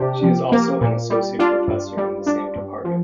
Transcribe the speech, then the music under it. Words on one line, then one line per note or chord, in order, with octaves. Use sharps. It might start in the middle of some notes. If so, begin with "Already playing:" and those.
She is also an Associate Professor in the same department.
Already playing: C3 D4 G4
F3
A#3
A#2
G3
D4 F4
G2
G3
D4
G2
F3